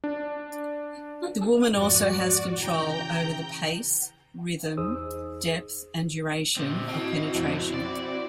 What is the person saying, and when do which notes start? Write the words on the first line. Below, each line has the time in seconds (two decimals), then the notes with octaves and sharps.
The woman also has control over the pace, rhythm, depth and duration of penetration.
0.04 D4
1.72 F2 G#2 F#4 D5
2.55 C#3 E3 G5 A#5 G6
4.77 E2 D#4 G#4 C5 D#6 E6
6.57 A#2 C4
6.88 C4 E4 F#4 D#5 A5
7.35 F2 B2
7.74 D5